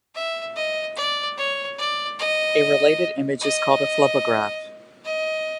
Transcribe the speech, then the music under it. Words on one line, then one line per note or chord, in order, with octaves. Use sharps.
A related image is called a phlebograph.
E5
D#5
D5
C#5
D5
D#5
D#5
D#5